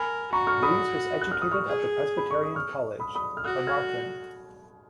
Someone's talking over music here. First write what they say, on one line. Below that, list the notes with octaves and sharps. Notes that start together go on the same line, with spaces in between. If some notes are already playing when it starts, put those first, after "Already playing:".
Rees was educated at the Presbyterian College, Carmarthen.
Already playing: A#4 G#5 B5
F#4 A#5 C#6
C#6 F6
B5 D#6
F#6
F6
D#6
C#6 F6
G#4
B5
C#6
D#6
C#6 F6
B5 D#6
B5 D#6
F6
F#4 D#6 F#6
F6 G#6